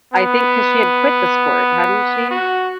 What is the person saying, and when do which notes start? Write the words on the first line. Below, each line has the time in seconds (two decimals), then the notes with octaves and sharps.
I think 'cause she had quit the sport, hadn't she?
0.14 B3
2.30 F#4